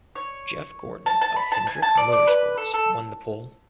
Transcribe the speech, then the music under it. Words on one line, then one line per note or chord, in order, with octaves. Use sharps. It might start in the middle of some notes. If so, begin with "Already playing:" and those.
Jeff Gordon of Hendrick Motorsports won the pole.
C#5
A5
A5
B5
A5
G#5
A5
D5
D5
B4
A4
A4